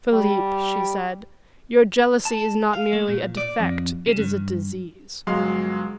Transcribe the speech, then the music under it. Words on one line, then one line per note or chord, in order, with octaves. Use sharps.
"Philip," she said, "your jealousy is not merely a defect, it is a disease."
G3
A5
F5
A3
A#2
D5
F2
C#3
G2
G1 F#3 G#3 F5 C6 F6